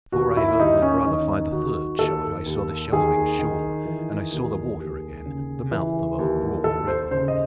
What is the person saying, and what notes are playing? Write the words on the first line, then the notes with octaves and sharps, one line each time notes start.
Before I heard my brother fire the third shot I saw the shelving shore, and I saw the water again; the mouth of a broad river.
D#2 F#4
E4
D#2 D#4
C#4
D#3 D#4
D#3 F#4
D#2 A4
D#2
D#3 G#4
D#3
E3
D#2
D#2
C#3
E3
D#2
D#2 A4
C5
C#3 C5
D#5